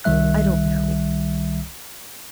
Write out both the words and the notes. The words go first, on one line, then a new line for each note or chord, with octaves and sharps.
I don't know.
C2 D#3 G3 E5 F#6